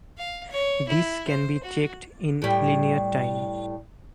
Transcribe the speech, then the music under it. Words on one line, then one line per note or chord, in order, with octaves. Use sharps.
This can be checked in linear time.
F5
C#5
E4
C5
F#4
A2 G3